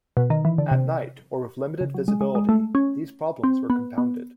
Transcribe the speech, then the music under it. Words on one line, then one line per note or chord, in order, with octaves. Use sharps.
At night, or with limited visibility, these problems were compounded.
B2
D#3
E3
D3
C3
C#3
F#3
G#3
G#3
G#3
A3
C#4
C4
B3
B3